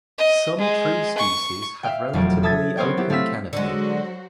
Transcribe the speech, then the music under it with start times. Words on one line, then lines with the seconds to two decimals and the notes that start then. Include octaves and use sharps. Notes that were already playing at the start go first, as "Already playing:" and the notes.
Some tree species have relatively open canopy.
0.18 D#5
0.59 G#3
1.18 C#6
1.83 E5 F5 G5
2.13 E1 F2 F#3 A3 D7
2.43 A4 E5 A5 D#6 G#6 A6
2.77 B3 C4 A#4 C5 C#5 G5
2.97 B3 E4 G4
3.10 A3 C4 F5 E6 B6
3.53 D3 F#3 G#3 F#4 C5